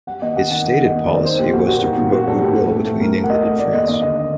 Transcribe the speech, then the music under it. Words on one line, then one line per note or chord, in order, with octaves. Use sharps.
Its stated policy was to promote goodwill between England and France.
G3 F#5
D#2 D#5
D#2 F#5
D#3 F#5
G3 F#5
D#2 D#5
D#2
D#3 D5
A#3 C5
A#2 G4
A#2 F#4
G3 F#4
A#3 D#4
A#2
A#2 F#4
G3 A4
A2 G4
A3
A2 A4
A3
A2 A#4
A3
F#5
A2 D#5
A3
A3 D5
D#2 D#5
D#2 D#5
D3 D#5
A3